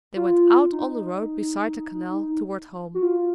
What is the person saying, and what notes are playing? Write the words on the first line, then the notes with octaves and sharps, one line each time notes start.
They went out on the road beside the canal toward home.
F4
D#4
F#4
F4